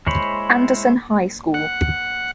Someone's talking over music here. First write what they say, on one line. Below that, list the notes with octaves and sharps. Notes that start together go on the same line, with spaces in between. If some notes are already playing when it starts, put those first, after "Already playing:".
Anderson High School.
G#3 E4 C5 C#5 B5
F#5